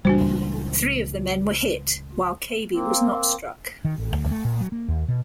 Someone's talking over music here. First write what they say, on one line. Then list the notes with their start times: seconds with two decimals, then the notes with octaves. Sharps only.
Three of the men were hit, while Cabey was not struck.
0.05 C#2 A#2 E3 G3 D4 F#4 C5
2.72 A#3 C4
3.85 D#3
3.98 A1
4.11 D2
4.31 A3
4.45 A#2
4.61 F#3
4.72 A#3
4.88 D#2
5.08 B2